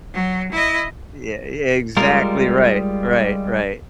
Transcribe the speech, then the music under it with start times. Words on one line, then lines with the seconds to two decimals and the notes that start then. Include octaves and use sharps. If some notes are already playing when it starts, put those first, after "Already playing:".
Yeah, ye exactly right, right, right.
0.13 F#3
0.52 E4 D#5
1.97 G3 G#3 F4 A#4